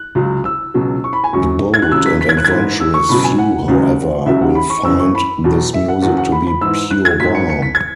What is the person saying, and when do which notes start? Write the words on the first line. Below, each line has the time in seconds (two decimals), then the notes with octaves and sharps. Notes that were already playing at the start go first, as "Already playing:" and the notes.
The bold and adventurous few however, will find this music to be pure balm.
Already playing: F#6
0.15 C#2 C#3 F#3
0.45 E6
0.74 C#2 B2 F#3
1.04 C#6
1.13 B5
1.24 G#5
1.33 F#2 F#3 C#6
1.74 G#6
1.82 F#6
1.91 C#2 C#3 F#3 E6
2.06 B6
2.21 B6
2.29 G#6
2.37 F#6
2.45 G#6
2.50 G#2 E3
2.80 E6
2.94 C#6
3.09 C#2 B2 F#3 B5
3.24 G#5
3.38 F#5
3.68 C#2 C#3 F#3
4.26 C#2 C#3 F#3 E5
4.41 F#5
4.55 B5
4.70 C#6
4.85 F#2 C#3 E3 E6
5.00 C#6
5.15 B5
5.44 E2 B2 F#3
5.73 E5
5.88 F#5
6.02 E2 C#3 F#3 F#5
6.18 F#5
6.32 B5
6.47 B5
6.61 G#2 E3 E6
6.91 F#6
7.05 G#6
7.20 G#2 F#3 B6
7.35 C#7
7.49 C#7
7.62 B6
7.75 G#6